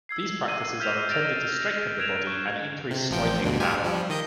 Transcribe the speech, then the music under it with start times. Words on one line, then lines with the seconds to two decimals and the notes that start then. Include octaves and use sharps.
These practices are intended to strengthen the body and increase striking power.
0.09 E6 G#6 C7
0.48 D#7
0.80 F6 G6 A#6 B6 E7 F7
1.10 A6 A#6 D7 F7
1.99 F#6 G#6 D7 E7 F7
2.27 C#6
2.91 C3
3.11 A1 F3 G5
3.43 D2 G2 B2
3.60 F4 G4 G#5
3.84 F3 G3
4.09 D#3 D#5 G6